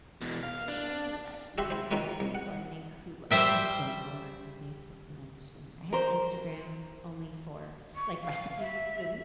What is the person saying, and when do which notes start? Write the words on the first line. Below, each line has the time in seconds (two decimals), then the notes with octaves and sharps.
Yeah, and it and you're right, you know, there are the people I think who I don't go on Facebook much, and I have Instagram only for, like, recipes and
0.21 B2 E3
0.43 F5
0.68 D4
1.58 F#4 G4 E5 B5 C6
1.70 E4 C5
1.91 B2 D#3 A#3 C#4 F4 B4
2.20 C2
2.35 F#5
3.31 G3 C5 E5 G5
5.93 A#4 C5
7.95 C#6
8.22 F5
8.59 E5